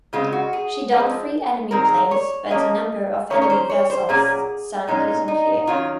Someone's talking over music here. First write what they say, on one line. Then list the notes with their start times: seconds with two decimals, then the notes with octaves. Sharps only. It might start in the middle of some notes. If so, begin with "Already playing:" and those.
She downed three enemy planes, but the number of enemy vessels sunk is unclear.
0.13 C#3 G#3 C4 F4
0.32 F#4
0.53 G#4
0.92 F3 G#3 C4
1.71 D#3 G#3 C4 A#4
2.11 C#5
2.51 F3 A#3 C#4 D#5
3.30 D#3 A#3 C#4 C#5
3.42 C#5
3.50 C5
3.70 C#5
3.90 C5
4.09 A#2 F#3 A#3 C#4 G#4
4.88 A#2 G#3 C#4 D#4
5.28 D#4
5.67 D#3 F#3 C#4 F4